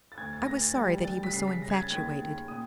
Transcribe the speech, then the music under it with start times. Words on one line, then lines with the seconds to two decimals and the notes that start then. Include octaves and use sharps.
I was sorry that he was so infatuated.
0.12 A6
0.18 D2 G#6
0.33 A6
0.47 D2 A#6
0.62 A6
0.75 G3
1.04 G3 A6
1.24 B6
1.33 C#3 C7
1.48 B6
1.62 C#3 A#6
1.70 G#6
1.76 A6
1.91 D#2 G#6
2.20 D#2
2.48 A#2 D#6